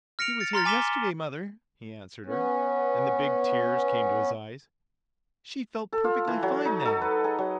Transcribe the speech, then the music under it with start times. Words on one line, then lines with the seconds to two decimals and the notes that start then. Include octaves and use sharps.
"She was here yesterday, Mother," he answered her, and the big tears came to his eyes "She felt perfectly fine then."
0.19 F6 A#6 C#7 D7 F7
0.40 A6 C#7
0.53 A#5 C6 F6 A6
0.65 G#5 D6 B6 E7 G7
2.26 B3 C#4
5.92 A4
6.04 F4
6.27 E3
6.43 F#3
6.65 D#4
6.85 A4
7.01 B4
7.24 G#4
7.38 F#3